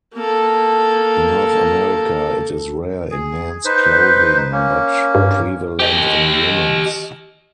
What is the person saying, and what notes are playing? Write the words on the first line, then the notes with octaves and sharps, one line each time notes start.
In North America it is rare in men's clothing, but prevalent in women's.
A#3 A4
G#4
D#4 B4 C5
A#3 C#4
G2
G4 D#5